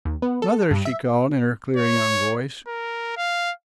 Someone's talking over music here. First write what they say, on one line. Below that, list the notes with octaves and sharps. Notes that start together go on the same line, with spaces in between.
"Mother!" she called in her clear young voice.
D#2
B3
A4
G2
E5
C#5
A#4
F5